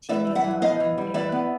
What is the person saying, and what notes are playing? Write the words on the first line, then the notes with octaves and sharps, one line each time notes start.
Teaming is not allowed in the game.
E3 D5 E5
G3
E5 F#5
E3
B3 D#5 F5
E3
G3
E3 D5 E5
B3